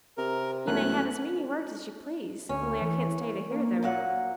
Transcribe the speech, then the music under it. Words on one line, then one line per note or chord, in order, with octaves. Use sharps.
'You may have as many words as you please,--only I can't stay to hear them.'
C3 A#4
E1 F#2 A3 F#6
D2 C#4
E3
A#3
A#2 F#3 F#5